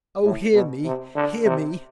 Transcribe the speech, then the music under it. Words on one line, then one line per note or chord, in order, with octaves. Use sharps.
Oh, hear me! hear me!
A2
B2
C3
D3
C3